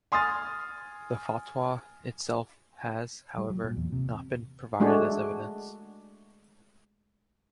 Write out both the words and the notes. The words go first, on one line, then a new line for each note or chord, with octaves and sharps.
The fatwa itself has, however, not been provided as evidence.
G#5 C6 D#6 F6 A6
G3
F#3
A#2
E2
C3
G#3 A3 D4 F#4 G#4